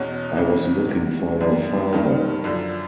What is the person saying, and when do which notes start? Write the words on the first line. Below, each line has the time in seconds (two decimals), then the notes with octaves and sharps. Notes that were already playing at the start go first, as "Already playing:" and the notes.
I was looking for your father.
Already playing: E2 B2 C#4
0.36 E2 C#3 E3
0.88 E2 C3 E3
1.41 F#2 D#3 D4
1.92 G2 D#3
2.44 F#2 D3 F3 D4